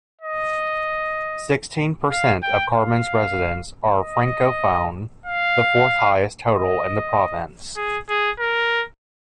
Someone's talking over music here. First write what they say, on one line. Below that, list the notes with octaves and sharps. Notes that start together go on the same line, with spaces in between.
Sixteen per cent of Carman's residents are francophone, the fourth-highest total in the province.
D#5
F5
G5
F5
D#5
F5
D#5
G#4
G#4
A#4